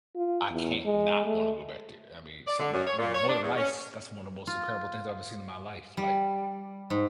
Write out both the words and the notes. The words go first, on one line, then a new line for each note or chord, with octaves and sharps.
I can not want to go back there, I mean, something about, I mean, Northern Lights, that's one of the most incredible things I've ever seen in my life, like,
F4
E2
G#3
A3
D5
D3
F#2
C#5
A#2
C#5
D4
E2
C#4
F4
G3
G#2